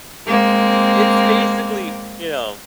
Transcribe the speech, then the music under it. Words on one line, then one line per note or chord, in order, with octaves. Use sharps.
it's basically, you know
G#3 A#3 C4